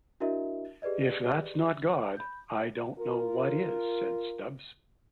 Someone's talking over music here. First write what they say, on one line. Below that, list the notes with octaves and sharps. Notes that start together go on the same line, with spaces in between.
If that's not God, I don't know what is, said Stubbs.
D4 E4 F#4 A#4 D#5 E5
G4 G#4 B4 D5 D#5
B5 G6
F4 A#4